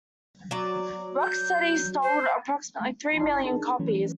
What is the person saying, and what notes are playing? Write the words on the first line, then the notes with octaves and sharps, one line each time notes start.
"Rock Steady" sold approximately three million copies.
F#3 D5
G6
C5
G1 E4 D5 A5 C7
D4 D#4 G#4 A#4 A5
E3 F#3 A3 C#4